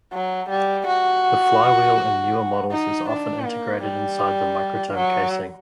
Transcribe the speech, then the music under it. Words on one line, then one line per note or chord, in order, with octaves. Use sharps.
The flywheel in newer models is often integrated inside the microtome casing.
F#3
G3
F#4
D#4
D4
A#3
G3
F#3